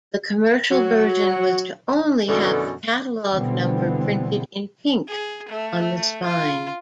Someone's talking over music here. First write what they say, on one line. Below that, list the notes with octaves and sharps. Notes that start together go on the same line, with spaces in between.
The commercial version was to only have the catalog number-printed in pink-on the spine.
F#3 F#4
F#2 B2 D3 E3 A4
B2 D3 E3 G3 B3 C4
G#4
A3
F4